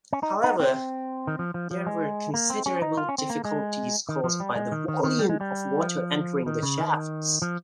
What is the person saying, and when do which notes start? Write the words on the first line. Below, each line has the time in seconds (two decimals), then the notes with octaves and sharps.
However, there were considerable difficulties caused by the volume of water entering the shafts.
0.13 C#4
0.23 D#4
0.44 D#4
0.60 C4
1.27 D#3
1.39 F3
1.54 F3
1.71 F3
1.87 G#3
2.34 A#3
2.50 C4
2.66 C#4
2.82 D#4
2.97 F4
3.09 C#4
3.18 C4
3.30 A#3
3.45 G#3
4.09 D#3
4.24 F3
4.40 G3
4.56 G#3
4.72 D#3
4.88 D#3
5.04 D#3
5.19 G3
5.29 G#3
5.41 G3
5.82 F3
6.46 D#3
6.63 C#3
6.78 D#3
7.42 F3